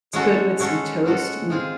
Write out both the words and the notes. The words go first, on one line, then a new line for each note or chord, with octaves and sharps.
It's good with some toast. Mm.
G#3 C#4 F#4 A4
G#3 C#4 F#4 A4
G#3 C#4 F#4 A4
G#3 C4 F4 G#4